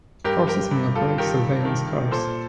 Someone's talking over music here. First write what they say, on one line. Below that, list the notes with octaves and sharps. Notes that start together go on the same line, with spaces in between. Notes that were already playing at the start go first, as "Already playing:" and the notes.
Forces may operate surveillance cars.
G2 G4 A#4
G4 A#4
G2
F4 A4
D#3 G4 A#4
D#3
A#2 A4 C5